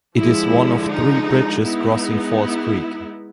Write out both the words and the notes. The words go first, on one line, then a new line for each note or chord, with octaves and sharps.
It is one of three bridges crossing False Creek.
D3 F3 G#3 E4
D#4
G#3 B3 D#4 E4
E4